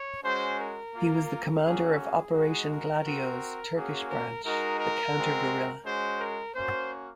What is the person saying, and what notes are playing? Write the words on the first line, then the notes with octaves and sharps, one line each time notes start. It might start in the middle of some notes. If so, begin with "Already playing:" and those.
He was the commander of Operation Gladio's Turkish branch; the Counter-Guerrilla.
Already playing: C#5
G#3 C#4 F#4 C5
A#4
A#3 F4
A#3 C#4 F#4 G#4
G#4
G#3 D#4 F#4
A#4
C4 F#4
A#3 C#4 F#4 G#4
A#4
G#3 D#4 F#4 A#4
A#4
G#3 C4 F#4
G#3 C#4 F#4 C5
A#4
A#3 C#4 F#4 C5